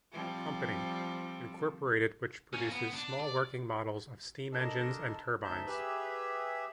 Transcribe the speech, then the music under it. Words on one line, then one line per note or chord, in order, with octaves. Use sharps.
Company, Incorporated which produces small working models of steam engines and turbines.
F3 G3 C4
A#3 C#4
B3
D4
D5
D3 D4 A#4 D#5 A5 E6
D2 D#4 E5 A5 G6
G4 G#4 B4 E5 B5 E6